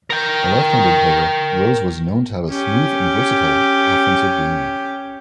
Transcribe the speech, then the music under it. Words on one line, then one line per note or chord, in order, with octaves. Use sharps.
A left-handed player, Rose was known to have a smooth and versatile offensive game.
A#4 G5
C#4 G4